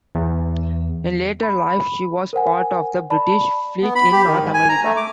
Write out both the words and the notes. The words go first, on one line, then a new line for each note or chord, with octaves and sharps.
In later life, she was part of the British fleet in North America.
E2
B5
A#4 C5 F#5 G#5
D5 A5 B5
B3
B5
G4
D#3
G#2
G#5
A#5
A3
D6